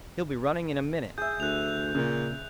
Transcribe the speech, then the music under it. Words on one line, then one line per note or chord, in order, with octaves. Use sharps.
"He'll be running in a minute."
G#4 E5 G6
D2 F#6 F7
A#2 C#3